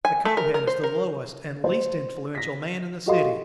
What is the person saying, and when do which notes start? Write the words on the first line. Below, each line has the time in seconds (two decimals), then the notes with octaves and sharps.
"The Kohen is the lowest and least influential man in the city."
0.05 G#5
0.25 A3
0.37 A#4
0.54 A#4
0.67 C5
0.84 A#4
1.64 C5
2.35 A#6 B6
3.06 F#4 G4 A4 D#5 F5 C6